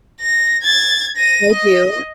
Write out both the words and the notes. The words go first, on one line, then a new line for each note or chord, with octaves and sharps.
I do.
A#6
G#6 A6
A#6 D#7
D#5